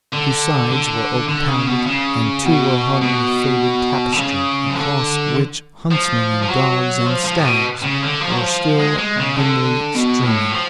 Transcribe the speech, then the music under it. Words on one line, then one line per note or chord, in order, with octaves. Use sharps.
Two sides were oak-panelled and two were hung with faded tapestry, across which huntsmen and dogs and stags were still dimly streaming.
D3
D3
D3
C#3
B2
C#3
B2
B2
D3
C#3
F3
D3
F3
F3
F#3
F3
F3
A2
B2
C#3
D3
F3
F#3
F3
G#3
G#3
C#3
D3
B2
A2
F3